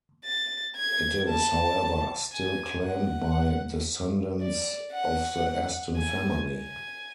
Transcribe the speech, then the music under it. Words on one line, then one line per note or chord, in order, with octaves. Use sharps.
It is, however, still claimed by descendants of the Aston family.
A6
G#6
A5
G#5
F#5
D5
F#5
G#5
G#5